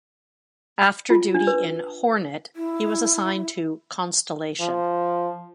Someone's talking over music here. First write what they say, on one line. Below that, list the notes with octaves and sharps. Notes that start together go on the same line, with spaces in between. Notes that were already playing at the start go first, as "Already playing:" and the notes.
After duty in "Hornet", he was assigned to "Constellation".
F4
D4
B4
E4
F3